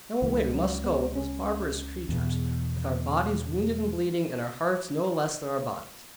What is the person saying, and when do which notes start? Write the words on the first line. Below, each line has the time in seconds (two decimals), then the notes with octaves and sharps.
Now away we must go with those barbarous creatures, with our bodies wounded and bleeding, and our hearts no less than our bodies.
0.22 C#2 C#3 E3
0.54 F#3
0.84 B3
1.15 C#4
2.09 E2 B2